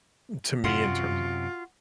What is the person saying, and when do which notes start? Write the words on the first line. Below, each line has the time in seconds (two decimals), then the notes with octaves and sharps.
to me in terms of
0.64 F#2 C3 F4 F#4 C6